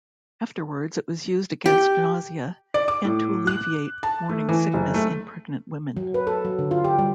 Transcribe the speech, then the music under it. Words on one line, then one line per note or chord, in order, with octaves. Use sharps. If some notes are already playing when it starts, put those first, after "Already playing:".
Afterwards it was used against nausea and to alleviate morning sickness in pregnant women.
G4
D5
D6
A2
F#6
A5
A3
E3
F#1
A3
F#3
B4
A4
F#3
D3
F4
G4
G3